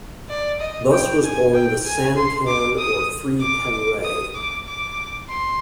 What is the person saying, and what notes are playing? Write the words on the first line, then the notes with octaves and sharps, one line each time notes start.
Thus was born the "San-Kan" or Three "Kanrei".
D5
D#5
G5
G#5
G5
G#5
C6
D6
D#6
D6
D#6
D6
D6
C6